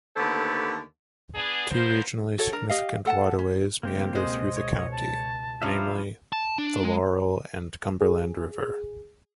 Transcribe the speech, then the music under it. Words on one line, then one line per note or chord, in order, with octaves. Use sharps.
Two regionally significant waterways meander through the county, namely the Laurel and Cumberland river.
D#2 D3 A3 B3 A4 C5
B3 D4 G#4
F3 B3 A#4 C5
F#4 A4 C#5
D4 A#4
G4 D#5 F5
A4 F#5 G5 A5
C#4
E2 C#3 G#3 A#3 C4 G4
C#2 B2 G#3 C5 D#5
C#5
A5
F3 G3 C#4 E5 F5 A#5
A5
D4
G#3
G#4